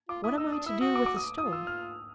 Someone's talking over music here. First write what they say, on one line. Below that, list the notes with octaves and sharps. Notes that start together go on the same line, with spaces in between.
"What am I to do with a stone?"
F4 D6
E4 D#6
D#4 E6
D4 D#6
E4 E6
F#4 D#6
D6
D6
D#6
F4 D#6
E6
F6